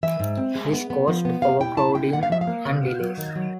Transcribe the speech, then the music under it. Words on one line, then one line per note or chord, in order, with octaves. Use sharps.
This caused overcrowding and delays.
E3 E5
G#2
C4
G#3
B3
B3
F3
B3
G3 F5
E4 G5
E4 A5
D3 G5
A#3 F#5
F5
F3 E5
F5
A#3
C3
B3
F#3
D#3
F#3